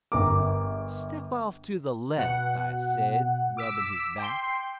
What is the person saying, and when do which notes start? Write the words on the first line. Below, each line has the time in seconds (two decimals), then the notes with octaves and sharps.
"Step off to the left," I said, rubbing his back.
0.12 G1 A#4 D6
2.17 B2 F#5
3.57 D6 E6 B6
4.18 G5 C6